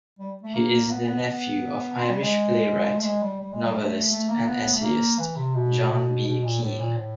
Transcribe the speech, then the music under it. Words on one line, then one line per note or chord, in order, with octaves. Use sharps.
He is the nephew of Irish playwright, novelist and essayist John B. Keane.
G3
A3
A#3
B3
B3
B3
C4
G3
G#3
A3
G#3
G3
G3
G#3
G3
A3
A3
A#3
B3
A3
A#3
E3
C3
B2
B2
B2
A#2
A2
A#2
A2